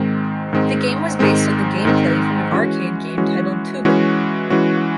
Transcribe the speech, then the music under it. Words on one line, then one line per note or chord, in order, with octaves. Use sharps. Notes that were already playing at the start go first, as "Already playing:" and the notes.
The game was based on the game play from an arcade game titled "Toobin'".
Already playing: G#2 D#3 G#3 C4
G#2 D#3 G#3 C4
G#2 D#3 G#3 C4
G#2 D#3 G#3 C4
E3 G#3 C#4 F#4
E3 G#3 C#4 F#4
E3 G#3 C#4 F#4
E3 G#3 C#4 F#4